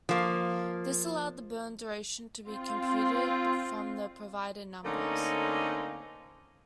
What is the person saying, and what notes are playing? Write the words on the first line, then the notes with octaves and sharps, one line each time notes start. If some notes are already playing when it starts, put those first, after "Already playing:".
This allowed the burn duration to be computed from the provided numbers.
F3 A#3
C4 F4
D3 A3 A#3 C4 C#4 D#4